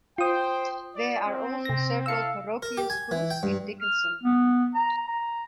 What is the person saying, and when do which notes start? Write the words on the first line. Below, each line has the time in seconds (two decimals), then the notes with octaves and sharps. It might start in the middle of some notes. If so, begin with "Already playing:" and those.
There are also several parochial schools in Dickinson.
0.18 F4 C5 G5 D#6
0.95 D5
1.27 C4
1.65 C3 A#6
2.06 E4 A4 F5 E6 C#7
2.63 A#4
2.77 G4
2.90 G#5
3.11 E3
3.31 G5
3.43 G2
3.81 F6
4.23 B3
4.75 A#5
5.08 A#5